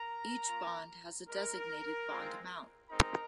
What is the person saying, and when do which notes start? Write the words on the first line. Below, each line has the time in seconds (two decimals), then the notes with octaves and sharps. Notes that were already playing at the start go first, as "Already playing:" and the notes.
Each bond has a designated bond amount.
Already playing: A#4 A#5
0.48 A#3 F4
1.29 G#3 D#4 A#4
2.10 G#3 C4 F4
2.90 G#3 C4 D#4 A#4 A#5